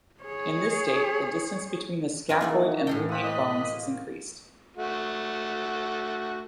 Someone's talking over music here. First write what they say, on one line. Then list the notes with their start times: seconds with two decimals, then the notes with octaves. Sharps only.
In this state, the distance between the scaphoid and lunate bones is increased.
0.24 G#4 C#5
2.29 C#4 F4 D5
2.41 E3 A#3 D#4 E4 F#4 G#4 D5
2.87 A2 G#4 A4 G5
3.09 A#3 C4 D#6 F#6 B6
3.24 A#3 D5 D#5
4.77 A3 F#4